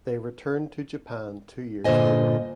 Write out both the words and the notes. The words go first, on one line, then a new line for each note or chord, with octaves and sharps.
They returned to Japan two years later.
G2 A#2 D3 C5 D#5 G#5